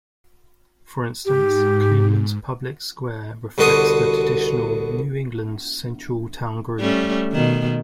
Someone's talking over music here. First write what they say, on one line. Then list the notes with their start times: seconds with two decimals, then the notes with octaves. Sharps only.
For instance, Cleveland's public square reflects the traditional New England central town green.
1.25 G#2 G4
3.58 C2 B2 D3 F#4 C6 D#6
6.80 G3 A3 C#4
7.33 B2 D#3